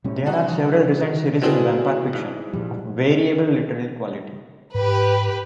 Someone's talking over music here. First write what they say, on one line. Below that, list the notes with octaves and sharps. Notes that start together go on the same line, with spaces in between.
There are several recent series in vampire fiction, of variable literary quality.
C3 G3 C#4
D4 D#4 F#4
B2 C4 D4 E4 G#4
G#2
A#2 F3 G3
G#2 G4 B4